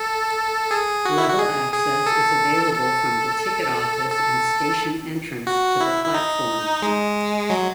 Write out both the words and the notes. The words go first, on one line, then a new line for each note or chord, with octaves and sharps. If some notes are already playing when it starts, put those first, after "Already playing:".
Level access is available from the ticket office and station entrance to the platform.
Already playing: A4
G#4
F#4
E4
F#4
G#4
G#4
A4
A4
A4
F#4
E4
E4
D#4
G#3
F#3